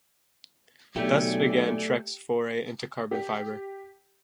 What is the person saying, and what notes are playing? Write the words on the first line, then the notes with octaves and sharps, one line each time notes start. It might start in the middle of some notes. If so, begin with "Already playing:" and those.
Thus began Trek's foray into carbon fiber.
B1 A3 G4 D5 G#5
G4